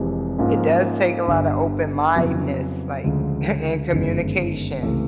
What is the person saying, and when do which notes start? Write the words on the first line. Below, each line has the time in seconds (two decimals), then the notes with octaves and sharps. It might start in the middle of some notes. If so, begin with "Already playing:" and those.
it does take a lotta open-mindedness, like, a and communication,
Already playing: F1 F2 C3 E3 G#3
0.38 G#2 F3 A#3 C#4 F4
1.27 G1 G2 D3
2.15 F2 C#3 F#3 B3 E4
3.04 D2 C#3 F3 G#3
3.92 G1 F#2 D#3 G#3
4.82 C#2 C3 E3 A3